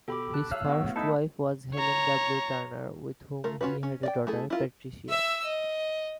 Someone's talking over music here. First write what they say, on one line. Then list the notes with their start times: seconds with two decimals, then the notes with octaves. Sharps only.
His first wife was Helen W. Turner with whom he had a daughter, Patricia.
0.08 B2 G4 A4 B5 D6
0.34 A5 F#6
0.51 C#5 E5 F5 E6 F6
0.65 A2 B3 F#4
0.96 D#4 E4 A4 B5
1.74 C#5 A#5
3.44 A3 F4 A#4
3.61 C#4 F4 F#4 B4
3.83 C#4
4.03 D5 D#5 G5
4.27 A3 E4 G#4 A4
4.50 E4 F4 A#4
5.09 E5 E6
5.45 D#5